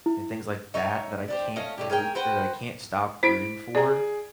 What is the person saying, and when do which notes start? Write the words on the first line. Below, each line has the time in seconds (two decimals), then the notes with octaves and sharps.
and things like that, that I can't root or that I can't stop rooting for,
0.06 E4
0.74 D#4 C#5 E5
1.28 D4 G4 C5
1.56 A3 C#4 D#5 F5
1.78 A2 D3 G4
1.90 G#4 A#4 C#5 G5
2.15 F#4 B4 C5 G5
3.23 E4 C5 B6 D7
3.75 G#4 D5 A#5